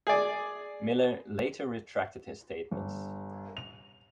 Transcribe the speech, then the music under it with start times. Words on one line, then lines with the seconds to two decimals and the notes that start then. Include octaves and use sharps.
Miller later retracted his statements.
0.07 G#4 D5
2.71 G1
3.57 F7